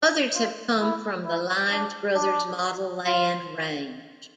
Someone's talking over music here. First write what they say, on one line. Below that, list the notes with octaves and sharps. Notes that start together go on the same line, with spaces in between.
Others have come from the Lines Brothers Model-Land range.
F4
E4
E4
D4
D4
F4